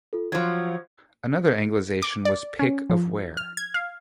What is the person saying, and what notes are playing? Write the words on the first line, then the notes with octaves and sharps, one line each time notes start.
Another anglicization was Pick of Ware.
F4 A4
F3 F#3 C5 G#6
D6
D5
C#4
F3
F6
G#6
F5